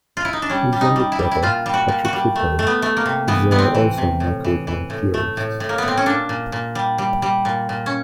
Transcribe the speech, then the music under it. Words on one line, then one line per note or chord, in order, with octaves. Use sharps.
His younger brother, Patrick Kehoe, is also a macroeconomic theorist.
F4
E4
D#4
D4
G3 C#4
G3
D#4
G3
E4
G3
E4
A#2 F4
G3
F#4
A#2
F#4
G3
A3
A3
B3
A3
A#3
C3
E3 B3
C3 B3
C4
E3
C3
A2
E3
E3
A2
A3
A2
A2
A#3
A2 B3
C4
C#4
A#2 D4
A#2
A#2
G3
G3
G3
A#2
A#2
C#4